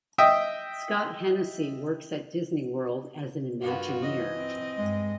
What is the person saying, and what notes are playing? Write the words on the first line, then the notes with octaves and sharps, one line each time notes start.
Scott Hennesy works at Disney World as an imagineer.
D#5 E5 G5 D#6
G2 A#3 B3 F4 F#4
E3 D#5
C4
G2 G#3